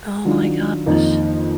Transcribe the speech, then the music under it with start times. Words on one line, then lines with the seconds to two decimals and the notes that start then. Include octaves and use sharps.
Oh my gosh.
0.25 D#3 F#3 D4 F4
0.86 F2 D#3 A#3 D#4